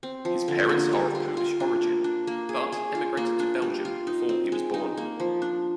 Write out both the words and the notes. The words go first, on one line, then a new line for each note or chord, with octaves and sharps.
His parents are of Polish origin but immigrated to Belgium before he was born.
C4
F3
D3
A#3
G3
F4
F4
D4
A#3
D4
A#3
G#4
G#4
F4
A#3
D4
G3
F4
D#4
C4
G#3
D#4
A#3
F3
D4